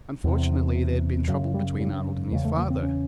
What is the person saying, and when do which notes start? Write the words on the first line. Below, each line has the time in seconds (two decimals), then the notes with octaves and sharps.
Unfortunately, there had been trouble between Arnold and his father.
0.24 E2 C3
1.28 F#2 C#3 F#3
1.54 G3
1.80 G3
2.32 E2 C#3 G#3
2.45 A3
2.57 A#3
2.70 C4
2.83 C#4